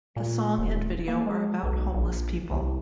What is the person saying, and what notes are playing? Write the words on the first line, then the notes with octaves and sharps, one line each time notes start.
The song and video are about homeless people.
A#2
D#1
A#3
G#3
B1
A#1
C2